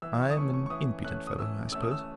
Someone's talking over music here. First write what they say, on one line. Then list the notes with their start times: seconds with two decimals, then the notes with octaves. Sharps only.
I am an impudent fellow, I suppose.
0.02 E3 E6
0.20 C#6
0.30 D#6
0.37 A3 C#6
0.40 C#4
0.54 C#6
0.66 C#6
0.70 E3 D#6
1.04 A3 C#4 F#6
1.27 D#6
1.38 E3 E6
1.72 A3 C#4 E6
1.82 D#6
1.91 E6